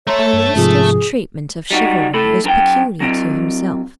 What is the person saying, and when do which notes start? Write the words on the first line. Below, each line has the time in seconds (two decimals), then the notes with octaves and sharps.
Ariosto's treatment of chivalry is peculiar to himself.
0.07 A3 A4 C#5 A#5 C6
0.33 G2
0.56 G#2 C3 F3 G#4
1.71 G3 D#4 F#4
2.14 A3 A4 B5
2.44 F#2 A#4 G5
3.00 F#3 C4